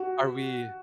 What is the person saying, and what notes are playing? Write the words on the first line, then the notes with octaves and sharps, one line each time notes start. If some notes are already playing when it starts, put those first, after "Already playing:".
are we
Already playing: F#4